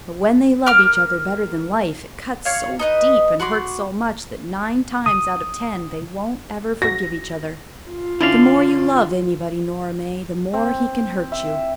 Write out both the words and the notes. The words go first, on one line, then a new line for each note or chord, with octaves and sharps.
But when they love each other better than life it cuts so deep and hurts so much that nine times out of ten they won't ever forgive each other. The more you love anybody, Nora May, the more he can hurt you.
A#4 D6 F6
C#5 D5 F5
D#4 B4 D#5
F#4 B5 C6 D6
D#6
F#4 A#6
F4
D3 C#4 D4 E4 D5 F5
C4
E5